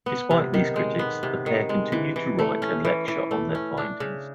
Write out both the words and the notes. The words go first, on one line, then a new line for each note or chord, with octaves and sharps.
Despite these critics the pair continued to write and lecture on their findings.
B3
C3
D#3
G#3
B3
C3
D#3
G#3
E3
E3
A3
C#4
E3
E3
A3
C#4
D4
C#3